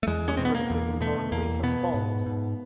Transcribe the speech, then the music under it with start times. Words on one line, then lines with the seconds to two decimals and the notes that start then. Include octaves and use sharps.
Some criticisms are in brief as follows.
0.03 A3
0.07 E2 G#3
0.28 C#4
0.37 B2 C4
0.45 B3
0.55 A#3
0.70 E2
1.01 B2 A3
1.32 E2 A#3
1.63 B2 B3
1.94 G#2
2.26 G#2